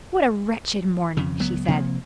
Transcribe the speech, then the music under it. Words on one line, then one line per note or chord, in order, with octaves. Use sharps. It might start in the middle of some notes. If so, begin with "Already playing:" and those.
"What a wretched morning!" she said.
F2 C#3
C#2 F#3 B3
C3 F3 A#3 C4